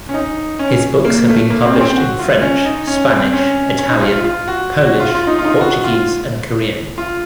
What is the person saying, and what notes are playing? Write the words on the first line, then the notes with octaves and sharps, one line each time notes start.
His books have been published in French, Spanish, Italian, Polish, Portuguese and Korean.
C#4
D#4
C#4
A#3
A3
A#3
C4
C#4
C4
F#4
F4
C#4
D#4
C#4
C4
C#4
C#4
D#4
F4
F4
F4
F#4
F#4
F4
F4
D#4
F4
D#4
F4
F#4
F4
F4